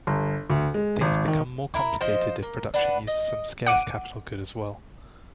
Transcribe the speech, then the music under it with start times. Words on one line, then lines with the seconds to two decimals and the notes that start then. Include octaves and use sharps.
Things become more complicated if production uses some scarce capital good as well.
0.07 G1
0.50 D2
0.74 G#3
1.01 G#1
1.28 D#3
1.74 E4 A#4
2.01 F3 C5 D#5
2.43 A#3
2.74 D4 B4 F#5
3.07 D#5
3.66 F#5 D6 D7 D#7